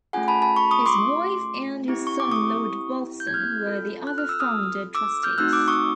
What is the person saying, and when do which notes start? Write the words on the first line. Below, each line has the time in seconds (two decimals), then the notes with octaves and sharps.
His wife and his son Lord Wolfson, were the other Founder Trustees.
0.13 A3 C#4 F4 G#4 F#5 G#5
0.28 A5 B5
0.42 A5 B5
0.56 B5 C#6
0.71 C#6 D#6
0.86 C6 D6
1.88 C4 E4 G4
2.07 C#6
2.20 D6
2.32 C#6 D#6
3.20 G6
3.27 G#6
3.34 F6 G6
3.64 C4 F4 A4
4.07 F#6
4.18 F6
4.29 E6
4.40 D#6 F6
4.95 D6 E6
5.23 F6 G6
5.38 A3 C4 D#4 F#4 E6 F#6
5.53 D6 E6
5.68 C#6 D#6